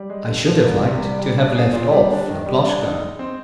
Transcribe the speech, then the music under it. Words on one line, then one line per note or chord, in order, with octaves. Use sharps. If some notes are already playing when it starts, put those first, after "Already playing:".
I should have liked to have left off Laploshka.
Already playing: G3
G#3
D3
F3
C2
C3
G3
G3
D4
G#4
A#2
G3
D4
D#3
G3
D4
D#4
G#3
C4